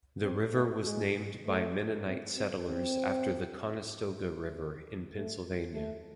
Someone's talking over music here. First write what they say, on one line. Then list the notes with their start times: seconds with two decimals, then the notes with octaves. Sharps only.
The river was named by Mennonite settlers after the Conestoga River in Pennsylvania.
0.24 C4
0.53 A3
0.85 G#3
1.46 A3
2.07 C4
2.37 C4
2.67 C4
5.13 A3
5.73 A3